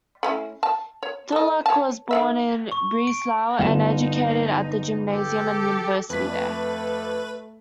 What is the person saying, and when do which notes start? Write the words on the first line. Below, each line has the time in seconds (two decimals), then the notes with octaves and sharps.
Tholuck was born at Breslau, and educated at the gymnasium and university there.
0.23 A3 C#4 E4
0.63 A5
1.03 C#5
1.32 A4 D#5
1.66 C#5 A5
2.11 D#3 A#3 E5
2.72 C#6
3.07 D7
3.59 G1 D#4 E7
5.10 G4 A4
6.10 F2 A3 B4 B6